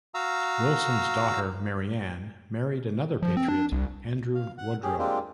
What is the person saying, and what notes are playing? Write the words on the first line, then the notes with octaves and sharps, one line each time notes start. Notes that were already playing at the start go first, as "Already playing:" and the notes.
Wilson's daughter, Mary Ann, married another patriot, Andrew Wodrow.
F#4 F5 A#5 E6
F3
C4
D4
C2
F5
F#5
C#4 G4 G#4
G#3 A#3 C4 D4 F4 G4